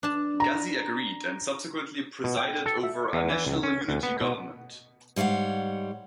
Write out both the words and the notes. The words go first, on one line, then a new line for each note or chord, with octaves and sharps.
Ghazzi agreed and subsequently presided over a national unity government.
D4 A5
A#5
B2
G5
A4
E5
E2
E3
C#2
C#4
D2
B3
B2
G#2 G3 C#5 F5 F#5